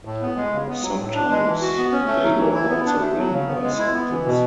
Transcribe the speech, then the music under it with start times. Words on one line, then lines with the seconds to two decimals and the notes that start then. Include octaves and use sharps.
Sometimes they were also ridden by soldiers.
0.05 A2
0.21 B3
0.36 G#3
0.52 C#3
0.68 B3
0.82 F#3
0.99 A2
1.15 D4
1.30 G#3
1.45 E3
1.61 F#4
1.77 B3
1.92 C#4
2.07 A3
2.22 F#3
2.39 E3
2.54 E4
2.70 B3
2.86 D4
3.01 A3
3.17 F#3
3.32 C#3
3.48 B3
3.63 G#3
3.78 E4
3.94 B3
4.10 E3
4.26 B2